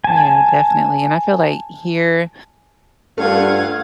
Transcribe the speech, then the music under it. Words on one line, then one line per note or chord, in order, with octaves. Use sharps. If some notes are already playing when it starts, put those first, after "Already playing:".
Yeah, definitely, and I feel, like, here,
G#5 A5
G2 A3 F4 F5 F#5 G#6